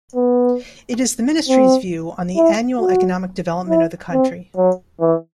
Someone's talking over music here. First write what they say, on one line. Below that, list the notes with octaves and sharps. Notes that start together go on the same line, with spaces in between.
It is the ministry's view on the annual economic development of the country.
B3
C4
E4
F#4
E4
C4
F#3
E3